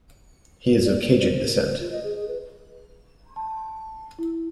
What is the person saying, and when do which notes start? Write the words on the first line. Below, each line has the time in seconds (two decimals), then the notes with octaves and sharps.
He is of Cajun descent.
0.85 D5
1.01 D5
1.15 C5
1.29 C5
1.46 A#4
1.65 C5
1.80 F4
1.92 D#5
2.04 G#4
2.15 G#4
2.28 B4
3.36 A5
4.19 E4